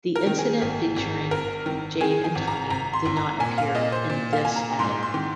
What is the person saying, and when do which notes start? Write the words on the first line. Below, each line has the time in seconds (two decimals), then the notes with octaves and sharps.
The incident featuring Jade and Tommy did not appear in this edit.
0.16 A#4
0.27 D#3
0.38 G#4
0.62 G#1
0.96 G#1
1.31 G#1 A#4
1.66 D#3
2.01 D#3 G#4
2.24 G#5
2.35 G#1
2.48 A#5
2.70 G#1 A#5
2.94 C6
3.06 G#1
3.17 A#5
3.40 A#2 G#5
3.58 F5
3.75 A#2 D#5
3.92 C5
4.10 A#2
4.33 F5
4.45 A#2 G#5
4.56 A#5
4.79 G#2 C6
5.03 C6
5.14 D#3